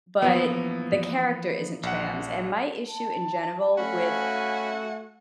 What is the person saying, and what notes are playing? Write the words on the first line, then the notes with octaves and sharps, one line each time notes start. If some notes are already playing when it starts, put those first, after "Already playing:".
but the character isn't trans, and my issue in general with,
E3 F3 A#3 B3
A#1 F#5
A5
A3 C#4 F#4 F5 G#5 B5